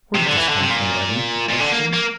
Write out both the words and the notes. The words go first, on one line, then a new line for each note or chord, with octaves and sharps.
"Where did this come from, Letty?" he questioned.
C3
D3
E3
D3
C3
A#2
A#2
D3
A#3
A#3